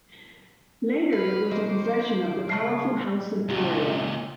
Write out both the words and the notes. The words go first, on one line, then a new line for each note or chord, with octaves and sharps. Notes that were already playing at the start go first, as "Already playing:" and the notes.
Later it was a possession of the powerful House of Doria.
B4 B5 F6
D#3 D#4 C5 D6
C#3 G#3 A3 F6 C7
C#2 A#2